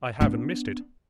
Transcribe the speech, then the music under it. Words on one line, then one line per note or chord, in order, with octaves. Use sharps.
'I haven't missed it.
B3 D4